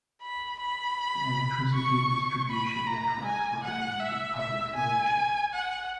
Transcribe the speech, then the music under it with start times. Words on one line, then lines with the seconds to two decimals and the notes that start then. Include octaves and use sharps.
The electricity distribution network remains in public ownership.
0.22 B5
0.60 B5
1.73 C#6
2.50 B5
2.87 A#5
3.25 G#5
3.63 F#5
4.00 E5
4.38 E5
4.76 G#5
5.53 F#5